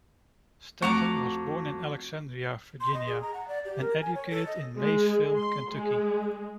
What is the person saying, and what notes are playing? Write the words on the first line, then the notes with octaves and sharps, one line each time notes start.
Stanton was born in Alexandria, Virginia and educated in Maysville, Kentucky.
F2 A3 F#4 A#5 C#6 D6
C6
D#5
G#4
A#5
F#5
D5
G4
A#4
G#5
C#5
A4
D#5
G#3
C6
G#3